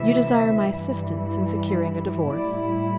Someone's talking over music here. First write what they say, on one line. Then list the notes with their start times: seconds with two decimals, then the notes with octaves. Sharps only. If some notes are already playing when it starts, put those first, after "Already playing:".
"You desire my assistance in securing a divorce?"
Already playing: D2 C3 E3 E5
0.70 G2 E3 G3 E4
2.29 A2 G3 E4 D5